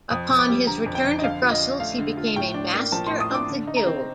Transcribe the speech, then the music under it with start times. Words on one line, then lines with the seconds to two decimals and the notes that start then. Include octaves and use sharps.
Upon his return to Brussels he became a master of the Guild.
0.10 F2 D#6
0.30 F2
0.39 D6
0.49 G3
0.67 D3 A#5
0.86 F2
0.95 G5
1.05 F2
1.19 D#5
1.24 D3 F5
1.42 F4
1.51 D#5
1.61 D4
1.80 A3 F5
1.98 D3
2.17 F4
2.36 A2 G5
2.54 D4
2.74 A#3
2.92 F3 A5
3.07 C6
3.11 A2
3.20 D#6
3.30 D4 D6
3.49 D3
3.67 D#4
3.77 A#5
3.86 C4